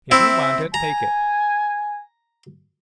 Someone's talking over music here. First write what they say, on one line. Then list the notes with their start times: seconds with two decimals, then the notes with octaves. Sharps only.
If you want it, take it.
0.11 C4 E4 E5
0.74 G#5 A#5